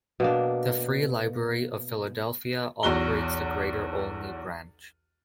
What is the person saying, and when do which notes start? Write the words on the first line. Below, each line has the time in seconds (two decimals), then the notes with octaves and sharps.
The Free Library of Philadelphia operates the Greater Olney Branch.
0.20 B2 A#3 D4
2.83 B1 E2 F#4 G7